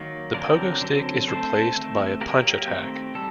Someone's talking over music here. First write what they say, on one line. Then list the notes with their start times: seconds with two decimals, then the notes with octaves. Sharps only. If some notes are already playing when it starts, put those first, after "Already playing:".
The pogo stick is replaced by a punch attack.
Already playing: D#3 F#3 A#3
0.34 D3 F#3 C4 A#4 D5
0.81 D3 F#3 C4
1.28 D3 A3 C4 A4 C5
1.75 D#3 A3 C4
2.21 F#3 A#3 G4 A#4
2.68 D#3 A3 C4
3.14 D#3 G3 A4